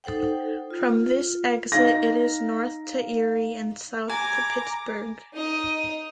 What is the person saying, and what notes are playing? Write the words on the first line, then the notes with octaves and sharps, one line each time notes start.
From this exit it is north to Erie and south to Pittsburgh.
D#4 A4 C5 F#5 G5
F4
D#4 F5 A#6
G#5 A#5 D6
D#4 D#5